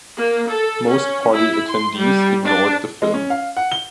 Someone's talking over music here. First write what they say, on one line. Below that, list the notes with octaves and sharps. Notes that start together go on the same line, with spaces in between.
Most party attendees ignored the film.
A#3
A4
C#4
E4
C6
G3
D4
G#3
C#4
F5
F#5
G7